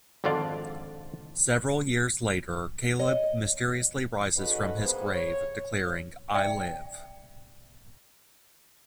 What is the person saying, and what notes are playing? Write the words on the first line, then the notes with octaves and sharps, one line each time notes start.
Several years later, Caleb mysteriously rises from his grave, declaring, I live...
G#1 F2 D3 D4 F4 D5
C#5 D#5
G#2 C#4 F#4 A4 B4 D#5
G2 A#3 B3 G#4 C5
C#5
D5 E5 G5